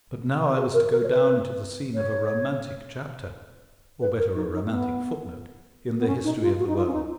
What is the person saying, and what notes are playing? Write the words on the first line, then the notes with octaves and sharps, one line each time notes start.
But now I was to go down into the scene of a romantic chapter--or, better, a romantic footnote--in the history of the world.
G#4
A#4
A#4
C#5
B4
C#5
B4
A#4
D#4
D#4
B3
B3
C#4
D#4
F4
F#4
D#4
F4
C#4
D#4